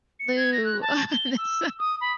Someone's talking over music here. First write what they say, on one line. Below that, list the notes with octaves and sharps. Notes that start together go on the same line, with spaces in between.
Lou. Oh, that's so
C#7
G#6
A#6
F#6
A5
G7
E6
D#6
B5